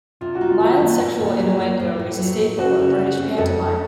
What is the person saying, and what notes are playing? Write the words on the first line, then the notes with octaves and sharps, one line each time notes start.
Mild sexual innuendo is a staple of British pantomime.
C3 F4
F#4
D#4
F4
D#3
A#3
A#2
A#2
F#3
A#3
A2
A2
F#3
A3
C#3 F#4
C#3
A3
C4
F2 A4
C#4